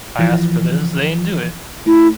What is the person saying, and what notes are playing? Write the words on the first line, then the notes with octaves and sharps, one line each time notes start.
asked for this, they didn't do it.
E3 F3
A3 E4